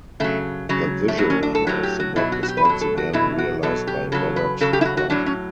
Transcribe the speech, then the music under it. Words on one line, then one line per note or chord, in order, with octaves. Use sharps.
The visual of the book is once again realized by Robert Crumb.
C#3 F#3 A3
C#3 F#3
A3
A2 F#3 B3
C#4
D4
A4
A2 F#3 G4
G4
F#4
B2 F#3 E4
F#4
F#4
G4
B4
B2 F#3 A4
A4
F#4
B2 F#3 E4
F#4
B2 F#3 A4
G4
C#3 F#3 A4
B4
C#3 F#3 A4
G4
E4
F#4
F#4
A2 F#3 D4
C#4